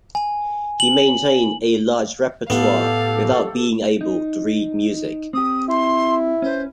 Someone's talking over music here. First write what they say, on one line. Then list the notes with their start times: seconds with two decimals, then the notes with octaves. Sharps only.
He maintained a large repertoire without being able to read music.
0.15 G#5
0.80 F#7
2.50 A2 B3 G4 A4 F5
4.01 D#4
5.33 C4 G4 D#6
5.68 E4 C6
6.42 C#4 B4 C5